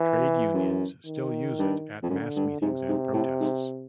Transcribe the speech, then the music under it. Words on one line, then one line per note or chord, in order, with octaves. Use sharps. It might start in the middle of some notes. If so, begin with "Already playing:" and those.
Trade unions still use it at mass meetings and protests.
Already playing: E3
F#2
D#3
G2
F2
F#2 D3
G2
G#2 C3
G#2
A2
G#2